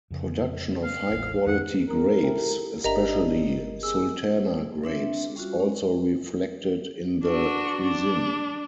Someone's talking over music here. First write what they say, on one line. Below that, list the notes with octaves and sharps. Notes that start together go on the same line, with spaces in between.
Production of high quality grapes, especially Sultana grapes is also reflected in the cuisine.
F2 C#3
F5
E1 A1 A2
F2 D#3 F#5
A#4
E4 G4 A4
G1 D4 G4 A#4 D#5 E5 A#5
G#4 E6
C4 D4 E5
G3 C#4 F4 F#4
G#3 C#4
D4 F#4
D4